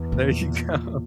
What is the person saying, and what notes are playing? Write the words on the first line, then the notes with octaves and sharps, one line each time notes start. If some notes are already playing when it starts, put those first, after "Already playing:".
There you go.
Already playing: E2
A#2